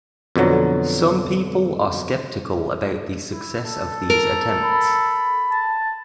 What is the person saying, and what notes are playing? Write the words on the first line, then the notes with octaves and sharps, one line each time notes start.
Some people are skeptical about the success of these attempts.
F2 B2 D3 F#3
E4
A4
A#4
B5
A5